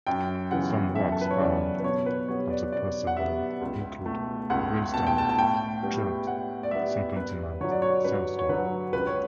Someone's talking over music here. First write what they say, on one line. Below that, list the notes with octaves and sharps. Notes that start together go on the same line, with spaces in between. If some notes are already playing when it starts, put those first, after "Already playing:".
Some rocks found at the preserve include: Greenstone, Chert, Serpentinite, Sandstone.
F#2 G5
C#3 E3 B3 F#5
F#2 E5
A4
B4
C#5
C#3 E3 B3 D5
B4
B2 C#5
B4
G3 B3 C#5
D5
B2 D5
F#5
G3 B3 E5
C#2
B2 A3
C#2 F#5
B2 A3 A5
G5
A5
A5
A2 G5
G3 B3
A2 F#5
D5
G3 B3 E5
G2 B4
D3 F#3 C#5
D5
C#5
G2 B4
C#5
D3 F#3 B4
C#2 B4
C#5